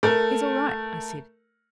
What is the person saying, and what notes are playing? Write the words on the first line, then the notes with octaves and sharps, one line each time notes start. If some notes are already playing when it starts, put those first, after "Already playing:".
'He's all right,' I said.
A3 A#4